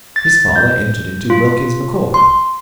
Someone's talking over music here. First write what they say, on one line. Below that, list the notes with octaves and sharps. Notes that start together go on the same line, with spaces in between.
His father entered into Wilkins Micawber.
A6
G6
F4
C6